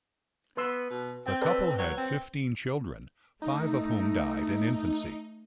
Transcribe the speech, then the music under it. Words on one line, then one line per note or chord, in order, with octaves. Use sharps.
The couple had fifteen children, five of whom died in infancy.
B3 B4 C6 E6
B2
C4 G5
A4 B4 D5
F#3
C4
A3 D#4